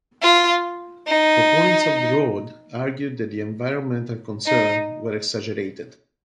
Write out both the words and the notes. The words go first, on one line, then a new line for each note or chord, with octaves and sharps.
Proponents of the road argued that the environmental concerns were exaggerated.
F4
D#4
D#4